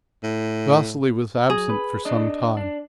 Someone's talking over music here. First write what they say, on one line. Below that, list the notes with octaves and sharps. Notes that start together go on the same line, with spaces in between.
Vasily was absent for some time.
A2
F#3 G#4
B4
D4 D#5
D4